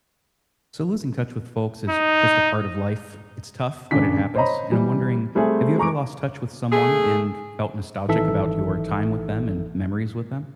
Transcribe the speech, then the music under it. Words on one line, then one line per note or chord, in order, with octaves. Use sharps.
So losing touch with folks is just a part of life, it's tough, but it happens, and I'm wondering, have you ever lost touch with someone and felt nostalgic about your time with them and memories with them?
D#4
D#1 C#3 D4 B6
C5 C#5 D#5 A#5 B5
E3 G3
G3 A3 C4 G#4
G#3 A#5 C#6 D6 D7
A3 G#4
G#1 E3 D#4 A4 E5